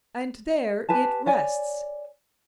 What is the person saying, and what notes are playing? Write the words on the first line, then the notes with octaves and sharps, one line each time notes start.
And there it rests.
G4 B4 G#5 A5
C#5 D5 G#5